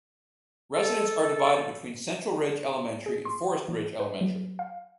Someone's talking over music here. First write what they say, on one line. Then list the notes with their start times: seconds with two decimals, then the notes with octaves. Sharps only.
Residents are divided between Central Ridge Elementary and Forest Ridge Elementary.
0.73 A4
3.06 G#4
3.25 C6
3.68 E3
4.00 B4
4.21 F#3
4.59 F5